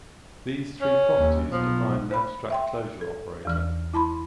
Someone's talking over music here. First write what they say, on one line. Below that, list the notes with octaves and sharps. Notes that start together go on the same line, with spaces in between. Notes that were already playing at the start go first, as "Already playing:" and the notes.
These three properties define an abstract closure operator.
C#4
D#2
B1 F3
C5 B5
E5 G5 C6
A4
E2 E3 F6
E4 A5 B5 C6